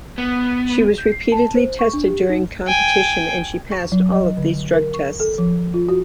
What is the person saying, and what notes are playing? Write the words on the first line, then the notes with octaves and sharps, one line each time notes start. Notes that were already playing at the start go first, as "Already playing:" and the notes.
She was repeatedly tested during competition, and she passed all of these drug tests.
B3
G6
C7
A5
C5
C#6
D4
G4
D#4
G5 G#5
C#6
F#3
D#5
D3
A#4
C#6
A4
F3
F4
F#4